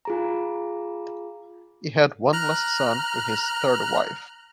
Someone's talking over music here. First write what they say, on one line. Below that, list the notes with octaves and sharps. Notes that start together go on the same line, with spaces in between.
He had one last son with his third wife.
F4 G#4 A#5
A#5 F6 F#6